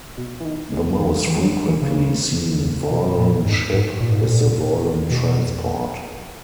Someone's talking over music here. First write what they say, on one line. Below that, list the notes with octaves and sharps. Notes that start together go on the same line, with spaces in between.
The most frequently seen Vorlon ship is the Vorlon transport.
B2
E3
D#3
C#3
D#3
E3
G#3
F#3
E3
C#3
B2
A#2
G#2
G#2
A#2
G#2
A#2
B2